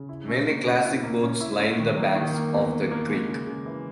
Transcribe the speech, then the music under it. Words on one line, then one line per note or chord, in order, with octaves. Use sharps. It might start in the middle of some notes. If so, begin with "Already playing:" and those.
Many classic boats line the banks of the creek.
Already playing: C#3
E4
C#4
A#3
C#4
E4
A#3
C#4
E4
C#4
D#3
A#3
D#3
A#3
E2
A#3
A#3
G#3
C#3
C#3
E3